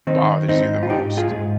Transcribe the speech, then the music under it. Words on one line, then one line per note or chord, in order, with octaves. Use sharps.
bothers you the most?
D#3 C4 D#4
G#2 C4 D#4
F4
G#2 D#4 G4
F4 G#4
G#2